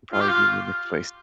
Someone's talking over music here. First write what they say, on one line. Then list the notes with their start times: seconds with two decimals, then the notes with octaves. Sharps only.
Probably be my next place.
0.13 F4
0.21 G4
0.28 F4